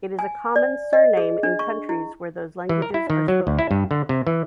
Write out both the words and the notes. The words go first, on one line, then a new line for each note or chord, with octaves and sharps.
It is a common surname in countries where those languages are spoken.
G#5
D5
D#5
G#4
D4
C#6
E4
E3
A#4
E4
D#3
F#3
D2
E4
G2
D3
C3
E3